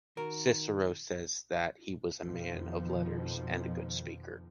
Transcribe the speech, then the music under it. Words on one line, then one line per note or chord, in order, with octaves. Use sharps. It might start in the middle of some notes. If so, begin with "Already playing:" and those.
Cicero says that he was a man of letters and a good speaker.
D#3 F#4 A#4
F2 B2 D#3 F3